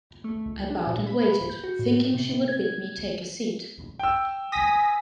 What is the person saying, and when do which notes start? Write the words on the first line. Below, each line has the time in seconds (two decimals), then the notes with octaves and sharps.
I bowed and waited, thinking she would bid me take a seat.
0.24 A3
0.46 C#2
0.70 D4
0.87 A#2
1.06 B5
1.49 G6
1.64 F#4
1.79 A2
2.14 C3
2.48 G#6
3.99 G5 E6
4.52 G#5 D#6 A#6 B6